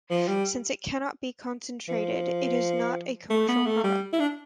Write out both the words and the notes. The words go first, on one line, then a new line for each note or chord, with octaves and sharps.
Since it cannot be concentrated, it is not a commercial product.
F3
G3
F3
A3
B3
A3
G3
E4
D4